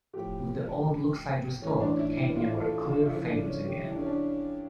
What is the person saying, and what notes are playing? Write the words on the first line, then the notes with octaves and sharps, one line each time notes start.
With the old-look side restored, Kenya were clear favourites again.
A2 F3 G4
A2 E3 C#4
D4
E4
E4
F4
A4
F4
F4
C#3 F3 E4
D4
D4
C#4
G4
E4
D4
C#4
D4